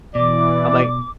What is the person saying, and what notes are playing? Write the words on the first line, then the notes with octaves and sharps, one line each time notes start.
I'm like
B2 E3 D5 D6